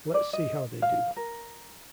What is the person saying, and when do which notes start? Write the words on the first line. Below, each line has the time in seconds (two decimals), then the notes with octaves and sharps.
Let's see how they do.
0.14 D5
0.33 D#5
0.82 F5
1.16 A#4